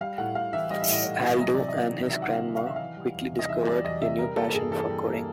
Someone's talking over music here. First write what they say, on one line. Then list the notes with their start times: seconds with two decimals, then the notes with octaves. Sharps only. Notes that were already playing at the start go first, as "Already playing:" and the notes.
Aldo and his grandma quickly discovered a new passion for coding.
0.01 G3 F5
0.18 A2 F#5
0.35 A2 F5
0.53 E3 E5
0.71 G3 D#5
0.81 E5
0.88 A2 D#5
1.05 A2
1.23 E3
1.40 F#3 D#5
1.54 C3 D5
1.68 D#5
1.75 C3
1.92 D#3
2.10 F#3 E5
2.22 F#5
2.28 C3
2.33 F5
2.45 C3
2.57 F5
2.63 D#3 E5
2.76 E3 F5
2.97 G3
3.14 E2
3.33 C3
3.39 D#5
3.49 E3 E5
3.67 G3 D5
3.84 E2 D#5
4.01 C3 E5
4.19 G3 A#4
4.36 A#3 A4
4.54 G2 G#4
4.71 E3 A4
4.89 G3
5.06 A#3